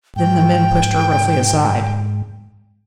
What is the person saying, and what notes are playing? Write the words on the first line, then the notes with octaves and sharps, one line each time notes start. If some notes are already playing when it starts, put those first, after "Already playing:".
Then the men pushed her roughly aside.
G#2 G5